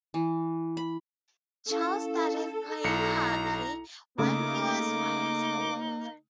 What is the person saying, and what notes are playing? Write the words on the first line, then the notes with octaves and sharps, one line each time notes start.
Child started playing hockey when he was four years old.
E3
B5
C#4 E4 A4 F5
B1 E4 A#5 C#7
C#3 A3 A#3 D#4 D6